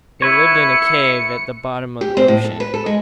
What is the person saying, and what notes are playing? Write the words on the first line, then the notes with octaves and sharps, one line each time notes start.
They lived in a cave at the bottom of the ocean.
E4 B4 C#5 C#7
G4
C4
A2
A4
B4
A4
G#3